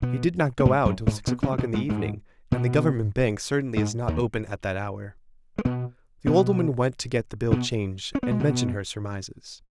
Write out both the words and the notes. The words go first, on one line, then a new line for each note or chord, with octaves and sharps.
"He did not go out until six o'clock in the evening, and the government bank certainly is not open at that hour." The old woman went to get the bill changed, and mentioned her surmises.
B2 B3
B3
G#2 G#3
F#2 F#3
G#2 G#3
B2 B3
C#3 C#4
G#3
B2 B3
G#2 G#3
G#2 G#3
B2 B3
G#2 G#3
D#2 D#3
G#3
B2 B3
B2 B3
B2 B3
C#4
B3
G#3
B2 B3